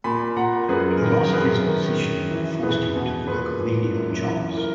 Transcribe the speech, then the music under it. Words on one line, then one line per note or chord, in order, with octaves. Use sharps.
The loss of his position forced him to work menial jobs.
A#2 G#5 B5
A#2 F#5 A#5
F#2 G#4 B4
A#4
D#3
A#4
F#2 G#4 B4
D#3
F#2
E3
E2 G#4 B4
B2
A#2 G#4 B4
A#2
F#2
E3
A#4